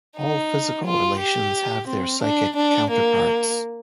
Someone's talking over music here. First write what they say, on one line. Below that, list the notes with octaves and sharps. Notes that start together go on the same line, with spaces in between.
All physical relations have their psychic counterparts.
D#4
F4
G4
C4
D4
D4
A#3